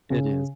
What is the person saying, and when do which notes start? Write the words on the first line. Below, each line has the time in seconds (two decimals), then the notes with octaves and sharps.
It is.
0.10 C#3